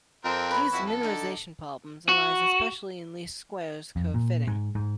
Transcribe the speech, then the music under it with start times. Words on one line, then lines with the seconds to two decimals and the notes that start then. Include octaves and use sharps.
These minimization problems arise especially in least squares curve fitting.
0.25 F2 C4 A#4
0.51 B4 C#5
0.73 F2 E4 F#4
0.86 A4
1.03 D3 D#4 D5
2.09 F#4
3.96 F2
4.14 A#2
4.48 G#2
4.75 G#2